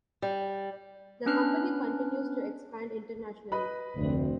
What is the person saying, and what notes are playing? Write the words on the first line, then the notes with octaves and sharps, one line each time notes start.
The company continues to expand internationally.
G3
B3 C#4 D4 B4 F6 F#6
B4 D#5 B5
F1 D2 C4